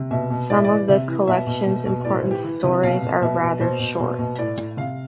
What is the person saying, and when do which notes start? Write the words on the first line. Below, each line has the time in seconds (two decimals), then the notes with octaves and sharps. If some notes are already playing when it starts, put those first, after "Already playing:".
Some of the collection's important stories are rather short.
Already playing: C3
0.11 B2 E5
0.30 B2
0.50 A2 D5
0.57 E5
0.64 E3 D5
0.88 C3 E5
1.08 E3
1.27 B2 E5
1.47 B2
1.66 B2
1.86 B2
2.05 A2 D5
2.18 C5
2.25 E3
2.31 G4
2.44 E3
2.64 C3
2.83 B2 F5
3.03 B2
3.21 B2 E5
3.41 B2
3.60 B2 C5
3.80 B2
3.99 B2
4.19 B2
4.38 A2 D5
4.57 A2
4.77 C3 F5